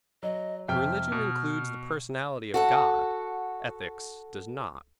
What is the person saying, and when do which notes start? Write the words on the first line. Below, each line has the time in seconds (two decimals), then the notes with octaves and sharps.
Religion includes the personality of God; Ethics does not.
0.23 F#3 D#5
0.68 F2 C3 G5 F6
1.12 B2
2.54 F#4 A4 F#5